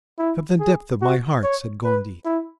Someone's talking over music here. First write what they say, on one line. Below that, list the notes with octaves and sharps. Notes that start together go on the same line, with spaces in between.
"From the depth of my heart," said Gondy.
E4
G#4
F#4
C#5
B4
E4